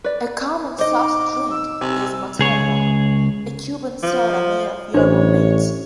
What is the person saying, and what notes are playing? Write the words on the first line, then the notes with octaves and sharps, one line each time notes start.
A common soft drink is Materva, a Cuban soda made of yerba mate.
B4 D5
B2 D#4 C5 D#5 D6
E6
C3 G#5
C#2 G#4 C#5
F3
A1 D4 C5 C#5